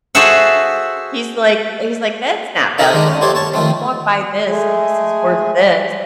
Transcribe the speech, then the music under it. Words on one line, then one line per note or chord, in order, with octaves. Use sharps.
he's like he's like, "That's not valuable." He's like, "You walk by this, and this is worth this,
F#4 G#4 A4 C5 E5 F#5
D#4 A4 A#4 D#5 E5
D#3 G#3 D4 D#4
C#4
E4 G4 A4 C5 C#5 F#5
C#5 A5 C#6
D#3 F3 A3 C4
G#3 A3 G#4